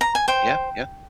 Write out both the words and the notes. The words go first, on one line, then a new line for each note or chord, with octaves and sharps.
Yeah, yeah.
A#5
G#5
C5 G5